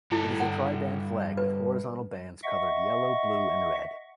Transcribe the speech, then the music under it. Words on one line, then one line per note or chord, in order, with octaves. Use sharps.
It is a triband flag with horizontal bands colored yellow, blue and red.
G2 E4 A4
F#5
B4
D#5 E5 F#5 C#6